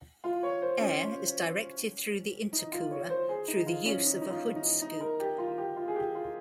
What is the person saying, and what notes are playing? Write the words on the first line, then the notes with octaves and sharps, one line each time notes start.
Air is directed through the intercooler through the use of a hood scoop.
F4
C#5
C5
C#4
D#4
F4
C#5
C5
G#4
D#4
F4
C#4
D#4
D#4
F4
D#4
D#4
A#4
G4
F4
G4
F4
G#4
G4
F4